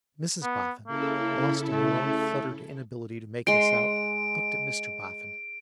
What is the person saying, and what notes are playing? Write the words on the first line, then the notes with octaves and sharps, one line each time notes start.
Mrs Boffin, lost in her own fluttered inability to make this out, looked at Mr Boffin.
B3
C#3 A#3 E4 A4
A3
G#3 C6 D7